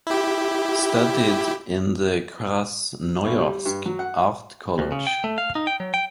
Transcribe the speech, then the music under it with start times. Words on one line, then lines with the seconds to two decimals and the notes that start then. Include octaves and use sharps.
Studied in the Krasnoyarsk art college.
0.07 E4 G4
3.25 B1
3.38 G3
3.66 G2
3.86 F#3
3.99 F#5
4.79 D2
4.92 C#3
5.07 G5
5.24 A3
5.38 F5
5.55 D#4
5.67 G5
5.80 F#3
5.94 G5